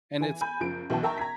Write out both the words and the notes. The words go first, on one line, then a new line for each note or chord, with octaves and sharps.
And it's,
E3 G#5
G#5 B5 G6
F#1 F3 D7
B1 E3 F#4 G5 A5
A#4 E5 G5 A5 A#5 C#6
A#5 G#6 B6